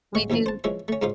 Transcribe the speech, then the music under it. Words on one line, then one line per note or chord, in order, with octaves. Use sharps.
We do
A1 G#3 C#6
D#2 B2 E3 F3 A#3
C5 A5
E3 F3 G#3 C#4 E5
A3 C#4
G#2 C#3 D#4 F4 C5 F5